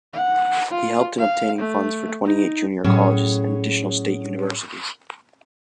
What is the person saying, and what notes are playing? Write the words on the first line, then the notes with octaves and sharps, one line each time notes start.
He helped in obtaining funds for twenty-eight junior colleges and additional state universities.
F#5
F4
F5
A3
D#4
A2 F#3 C#4 G#4 C#5